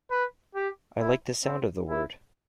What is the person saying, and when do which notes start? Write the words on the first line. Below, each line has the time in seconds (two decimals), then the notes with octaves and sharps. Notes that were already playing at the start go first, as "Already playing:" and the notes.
I like the sound of the word.
0.10 B4
0.55 G4
0.99 E4
1.44 C4
1.89 E4